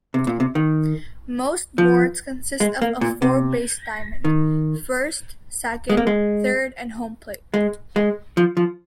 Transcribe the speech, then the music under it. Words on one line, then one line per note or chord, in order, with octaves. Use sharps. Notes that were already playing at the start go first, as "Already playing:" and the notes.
Most boards consist of a four-base diamond: first, second, third, and home plate.
C3
A#2
C3
D#3
F3
G#3
A#3
A#2
C3
D#3
G#3
A#3
G#3
G#3
G#3
F3
F3